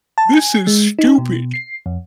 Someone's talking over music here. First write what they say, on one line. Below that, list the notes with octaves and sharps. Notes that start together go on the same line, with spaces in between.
this is stupid.
A5
G#5
G#3
D#4
B2
C7
F2